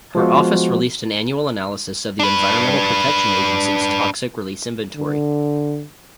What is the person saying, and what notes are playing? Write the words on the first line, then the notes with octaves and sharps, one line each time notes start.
Her office released an annual analysis of the Environmental Protection Agency's Toxic Release Inventory.
F3 G#3 B3 F4 F#4
D4 B4
D3